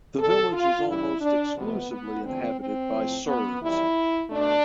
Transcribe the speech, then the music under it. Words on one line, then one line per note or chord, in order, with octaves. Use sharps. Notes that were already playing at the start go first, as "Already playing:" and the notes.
The village is almost exclusively inhabited by Serbs.
E2 C3 G3 A4
F4
G2 E3 G3 E4
D4
F2 C3 F3 A3 B3
B3
E2 D3 F3 A3 C4
C4
A2 F3 A3
B3
F2 E3 G3 E4
B2 A3 D4